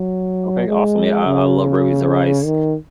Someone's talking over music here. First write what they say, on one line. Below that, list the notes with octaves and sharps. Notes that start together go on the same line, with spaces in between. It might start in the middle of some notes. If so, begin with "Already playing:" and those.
M okay, awesome. Yeah, I I love red beans and rice
Already playing: F#3
G#3
C#3
D#3